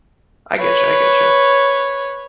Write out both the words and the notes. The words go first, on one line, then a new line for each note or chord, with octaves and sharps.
I get you, I get you.
B4 C#5